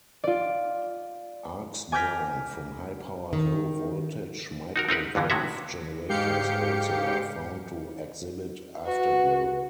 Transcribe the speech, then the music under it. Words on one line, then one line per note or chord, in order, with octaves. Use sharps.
Arcs drawn from high-power low-voltage microwave generators also are found to exhibit afterglow.
F4 D5
G#5 D6 F6 G6 A#6 B6
D#3
D#4 F#4 A#4
C4 D#4 A#4 B4
G1 F2 D3 E3
A2 C3 G#3 F#4 E5
G#2 G4 F5 G6 C7 C#7
F#4 B4